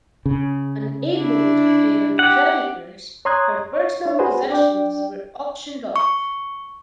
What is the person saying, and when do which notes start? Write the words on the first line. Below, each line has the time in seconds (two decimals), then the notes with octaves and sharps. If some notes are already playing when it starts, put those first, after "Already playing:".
Unable to pay her creditors, her personal possessions were auctioned off.
0.26 C#3
1.16 D4 E4
2.19 G4 F#5
3.25 C#5 A#5 C6 D#6 F#6 G#6
3.73 C#5
4.06 D4 C#5
4.19 F#4 G#4 B4 C5
4.50 D4 D5 G5
5.96 C#6